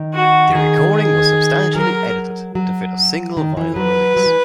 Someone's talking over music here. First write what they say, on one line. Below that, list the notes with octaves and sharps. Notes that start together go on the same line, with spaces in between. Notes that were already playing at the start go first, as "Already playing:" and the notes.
The recording was substantially edited to fit a single vinyl release.
Already playing: D#3
F#4
D#3 G#4
G#4
F#3 A#4
F#3
D#3
E3
F#3 B4
F#3
E3